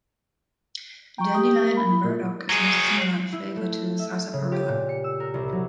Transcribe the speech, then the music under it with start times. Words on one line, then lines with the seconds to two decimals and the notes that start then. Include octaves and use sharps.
Dandelion and burdock is most similar in flavour to sarsaparilla.
1.18 G5 A#5 C#6
1.35 G4 D#6
1.59 A#3
1.77 B5
1.90 E4
2.04 A#2 A#4
2.50 F#3 G#4
3.33 E4
3.56 A3
3.99 E5
4.33 C#3
4.52 G4
4.68 A#2
4.89 C#7
5.04 E6
5.20 A#4
5.34 C2
5.52 F#3